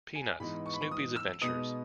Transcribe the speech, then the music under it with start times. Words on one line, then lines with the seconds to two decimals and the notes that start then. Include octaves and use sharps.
Peanuts: Snoopy's Adventures.
0.15 G#5
0.40 G#2 E3 B3 D#4 B5
0.66 C#6
0.73 B5
0.81 C#6
0.91 D#6
1.16 E6
1.41 B2 G#3 B3 D#4 D#6